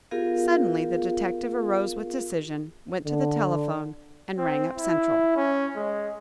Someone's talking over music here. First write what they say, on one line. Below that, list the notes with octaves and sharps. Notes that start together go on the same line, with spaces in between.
Suddenly the detective arose with decision, went to the telephone, and rang up Central.
B3 F4 G4 G#4 A#4 F5
D3
C4
E4
C#4
G#3